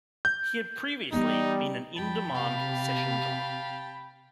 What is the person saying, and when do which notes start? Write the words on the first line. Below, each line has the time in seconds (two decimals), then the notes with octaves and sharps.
He had previously been an in demand session drummer.
0.25 G6
1.13 E3 G3 B3 D#4
1.97 F2 G5 A5 B5
2.34 C3 G4 F5